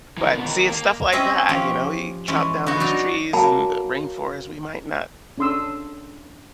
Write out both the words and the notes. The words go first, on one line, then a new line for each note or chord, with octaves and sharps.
but see, it's stuff like that, you know? He chopped down these trees and the rainforest, we might not,
E3 A#4
A#2 B3
D#2 A#4
A#3
C4 C#4 G#4 D#5 E5
F3 C#4 G4
E3 G#3 C#4
B3 D#4 F#4
F#3 D4 D#4
F#3 A#3 G#5 A5 B5
C#4 D4 A4 C6 D#6 E6